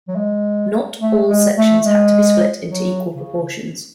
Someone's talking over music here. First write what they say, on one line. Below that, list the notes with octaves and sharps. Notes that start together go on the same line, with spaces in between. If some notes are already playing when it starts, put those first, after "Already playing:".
Not all sections had to be split into equal proportions.
F#3
G#3
A3
G#3
A3
G#3
F#3
C#3